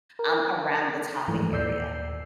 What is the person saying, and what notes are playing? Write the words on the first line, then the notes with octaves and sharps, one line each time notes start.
um, around the topic area.
A#4
G#2 E3 F3 A3
D#2 A#2 D5 E6 G6 C7